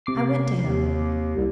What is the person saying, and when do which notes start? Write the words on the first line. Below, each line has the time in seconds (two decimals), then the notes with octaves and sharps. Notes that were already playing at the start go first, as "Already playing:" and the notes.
I went to him.
0.06 C3 D6 C7
0.64 D#2
1.36 C2